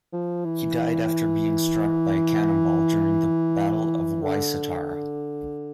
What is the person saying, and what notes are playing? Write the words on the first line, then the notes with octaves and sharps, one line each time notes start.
He died after being struck by a cannonball during the Battle of Wai Satara.
F3
E3
D3